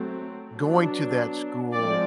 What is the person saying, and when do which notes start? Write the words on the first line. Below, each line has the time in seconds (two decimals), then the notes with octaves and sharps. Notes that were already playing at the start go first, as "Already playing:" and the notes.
going to that school,
Already playing: F#3 A3 C4
0.54 F#3 B3 D4
1.73 F3 G#3 C4 D5